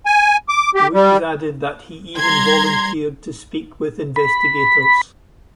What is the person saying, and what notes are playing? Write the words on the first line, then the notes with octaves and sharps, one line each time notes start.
Ruiz added that he even volunteered to speak with investigators.
G#5
D6
G4
G3
G3 A#5 C6 G#6
B5